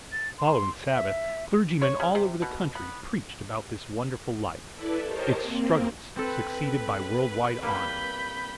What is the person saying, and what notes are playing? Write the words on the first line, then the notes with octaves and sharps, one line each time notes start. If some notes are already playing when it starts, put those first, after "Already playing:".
The following Sabbath clergymen all over the country preached about this wonderful life: its struggles succeeded by world-wide honor.
A6
C6
E5
C#5
C#3
C3
B2
B3
E4 A4 B4 D5 E5
G4 A#4 C5 C#5 D#5 A5
A#3 C4
C4 A4 B4
G3 A#3 E4 B5 G6